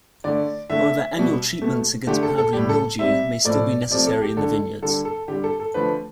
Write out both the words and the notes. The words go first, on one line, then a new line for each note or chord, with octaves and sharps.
However annual treatments against powdery mildew may still be necessary in the vineyards.
D3 A3 D5
D3 A3 E5
B2 G3
B2 A3
D3 A3 G4
A4
A4
A2 G3 G4
A4
C3 G3 E5
A2 F3 A3 D5
C3 F3 A3 D5
A4
G4
D3 A3 A4
D3 G3 A4
A4
D3 G3 G4
A4
A4
D3 F3 A3 B4